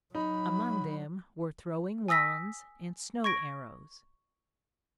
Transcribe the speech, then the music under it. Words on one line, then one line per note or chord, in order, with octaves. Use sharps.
Among them were throwing wands and snow-arrows.
F#3 D#4 B5
G#5 D#6 E6 A#6 B6
C#6 G#6 A#6 D7